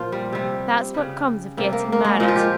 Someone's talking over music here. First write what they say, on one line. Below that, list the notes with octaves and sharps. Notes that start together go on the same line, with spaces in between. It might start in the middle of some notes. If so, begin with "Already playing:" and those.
That's what comes of getting married.
Already playing: A#2 F3 F4
G3
C3 G3
C#3 G3
C3 G3 A#3
A#3
A#3
G#3
A#2 F3 G#3
F4
G4